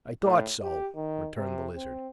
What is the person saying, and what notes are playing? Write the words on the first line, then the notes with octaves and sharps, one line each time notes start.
"I thought so," returned the Lizard.
A2
G4
D#3
C3
C4